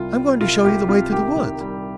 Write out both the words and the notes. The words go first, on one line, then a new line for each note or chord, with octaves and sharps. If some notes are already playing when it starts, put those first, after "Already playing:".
I'm going to show you the way through the woods.
Already playing: C2 G3 F4
G3
C2 F4
C2 G4
C3 F4
D#3 G4
D#3
G3